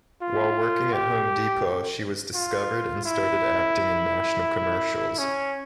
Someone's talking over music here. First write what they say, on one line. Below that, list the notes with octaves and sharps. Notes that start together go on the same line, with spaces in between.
While working at Home Depot, she was discovered and started acting in national commercials.
F4
G4
F4
E4
C#4